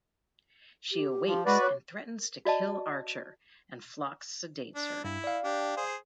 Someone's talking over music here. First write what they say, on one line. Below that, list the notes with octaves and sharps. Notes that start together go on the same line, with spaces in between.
She awakes and threatens to kill Archer, and Phlox sedates her.
G4
F3
G#3 F#4 B4 D5
C#5
F#4 D5 D#5 A5
D4
G2 E4
D5 F5
D4 G4
G#4 C5